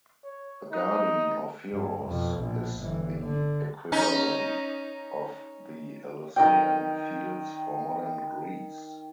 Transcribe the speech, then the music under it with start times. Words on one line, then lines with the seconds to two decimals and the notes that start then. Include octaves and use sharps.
The Garden of Heroes is the equivalent of the Elysian Fields for modern Greece.
0.24 C#5
0.71 D#4
1.73 G2
2.06 F2 B2
2.41 A#1
2.81 G1 E3
3.22 D3
3.92 C#4 D#4
6.36 D#3 D#5 G5